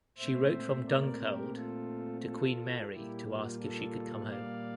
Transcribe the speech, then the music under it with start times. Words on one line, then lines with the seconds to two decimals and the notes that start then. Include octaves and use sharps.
She wrote from Dunkeld to Queen Mary to ask if she could come home.
0.18 A#2 A3 C4 C5 E5
0.87 A#4 D5
1.21 G4 A#4
1.55 F4 A4
2.24 F4 A4
2.92 A#2 G3 A#3 E4 G4
3.27 F4
3.61 F4 A4
4.30 D5 F5